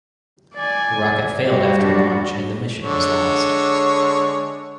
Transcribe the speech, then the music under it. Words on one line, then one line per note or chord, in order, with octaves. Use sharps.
The rocket failed after launch and the mission was lost.
D5 G#5
G3 F#4 G4
D4
D3 G#3 C#5